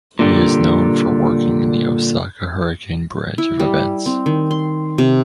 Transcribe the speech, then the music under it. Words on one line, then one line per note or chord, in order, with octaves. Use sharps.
He is known for working in the Osaka Hurricane branch of events.
A#2 D3 G3
E4
G3
C4
D#3
C6
C3